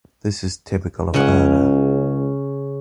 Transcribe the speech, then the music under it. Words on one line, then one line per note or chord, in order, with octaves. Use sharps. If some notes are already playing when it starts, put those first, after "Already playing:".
This is typical of Erna.
C#2 C#3 C#4 F#5